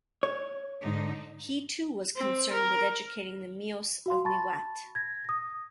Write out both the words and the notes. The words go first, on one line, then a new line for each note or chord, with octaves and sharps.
He too was concerned with educating the Meos of Mewat.
C#5
G#2 D3 D#4
C4
A#4
F#4 F5 C6
A5 B5 C#6 A6
G#6 A#6
D#6 A#6